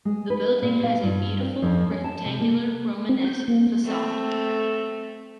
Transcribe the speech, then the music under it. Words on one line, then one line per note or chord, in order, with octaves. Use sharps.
The building has a beautiful rectangular Romanesque facade.
G#3
B4
A#2
F5
G2
C4
F2
C#4
A5
C3
A#3
C4
G6
A#3
A3 C4